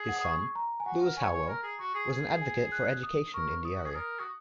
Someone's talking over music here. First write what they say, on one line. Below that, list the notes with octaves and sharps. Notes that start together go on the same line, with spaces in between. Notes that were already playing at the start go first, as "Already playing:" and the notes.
His son, Lewis Howell, was an advocate for education in the area.
Already playing: G#4
F#5
D#6
C#6
A#5
G#5
F#4 F#5
A#4
C#5 G#5
C#5
A#4 A#5
G#4
F#4 C#6
G#4
G#4
G#5
F#6
D#6
A#4 C#6
D#6
F#4
G#4
A#4 D#6
F#4 D#6